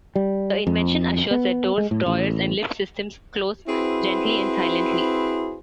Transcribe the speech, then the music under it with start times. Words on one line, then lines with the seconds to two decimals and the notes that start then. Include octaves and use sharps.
The invention assures that doors, drawers and lift systems close gently and silently.
0.16 G3
0.67 F2
1.31 B3
1.78 G#3
1.91 A2
2.06 A1
3.68 C4 E4 F#4 G#4 B4 C5